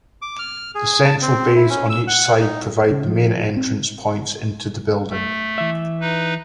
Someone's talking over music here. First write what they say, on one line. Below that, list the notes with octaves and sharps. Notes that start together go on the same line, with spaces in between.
The central bays on each side provide the main entrance points into the building.
D6
F6
G#4
A5
C4
E4
C#4
E6
F#5
D#4
C#3
F3
C4
A3
E3 E5
D#4 B4